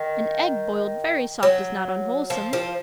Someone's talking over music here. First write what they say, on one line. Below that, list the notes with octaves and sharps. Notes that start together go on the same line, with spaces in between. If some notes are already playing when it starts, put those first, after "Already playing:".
An egg boiled very soft is not unwholesome.
Already playing: D#3
F#3
F3
F3